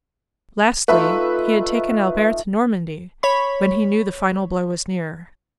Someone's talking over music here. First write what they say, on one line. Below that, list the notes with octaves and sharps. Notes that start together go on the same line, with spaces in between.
Lastly, he had taken Albert to Normandy when he knew the final blow was near.
A3 D#4 F4 B4 E5
C#5 B5